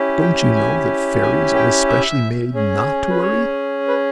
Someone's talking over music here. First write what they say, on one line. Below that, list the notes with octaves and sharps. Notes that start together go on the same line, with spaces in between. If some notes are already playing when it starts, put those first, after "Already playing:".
Don't you know that fairies are especially made not to worry?
Already playing: C#4 E4 G4
G5
G#5
G#5
G5
E5
C#4 G#4
B4
C#5
B4